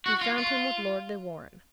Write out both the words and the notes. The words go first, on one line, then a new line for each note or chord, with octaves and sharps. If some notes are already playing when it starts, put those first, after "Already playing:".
He found him with Lord de Warenne.
F#4
F4
F4